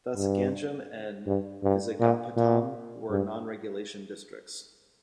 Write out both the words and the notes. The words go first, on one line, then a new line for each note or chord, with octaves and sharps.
Thus Ganjam and Vizagapatam were non-regulation districts.
G2
G2
G2
A#2
A#2
G2